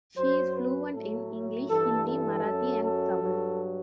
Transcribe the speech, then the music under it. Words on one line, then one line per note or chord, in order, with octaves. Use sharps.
She is fluent in English, Hindi, Marathi and Tamil.
F#2 F#3 C5
B4
A2 F#3 A4
G2 E3 A4
A4
F#2 F#3
A4
G2 F#3